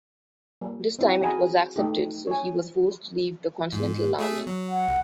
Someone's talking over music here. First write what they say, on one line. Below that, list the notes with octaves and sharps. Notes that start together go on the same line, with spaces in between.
This time it was accepted, so he was forced to leave the continental army.
G3 A#3
C4 E4 G4
F#4 G#4 D#5 G#5 A#5 B5
A3 D#4 G4
C#5 G#5
G#2
A3 G#4 E5
F#3
F#5
C2